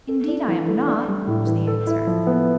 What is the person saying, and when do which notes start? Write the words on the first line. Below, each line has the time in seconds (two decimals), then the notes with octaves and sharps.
"Indeed I am not," was the answer.
0.09 A4
0.28 D4
0.48 E3
0.68 A3
0.87 D4
1.08 G3
1.27 A2
1.47 E3
1.67 A4
1.87 E4
2.07 F3
2.27 B3